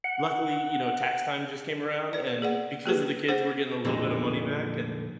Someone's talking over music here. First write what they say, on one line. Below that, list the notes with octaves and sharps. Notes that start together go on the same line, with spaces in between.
luckily, you know, tax time just came around, and because of the kids, we're getting a little bit of money back and
F#5
B4 D5
G#4 D5 F#5
A#3 G4 G#4 B4
G#4 C5 F#5
F2 A#2 D3 E3 G#3 D#4